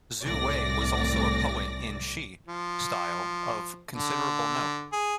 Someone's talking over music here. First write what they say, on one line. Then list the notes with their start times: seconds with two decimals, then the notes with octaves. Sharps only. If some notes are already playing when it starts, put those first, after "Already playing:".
Xu Wei was also a poet in "shi" style of considerable note.
0.23 C2 A2 D5 A#6
2.48 F3
3.91 D3
4.93 G#4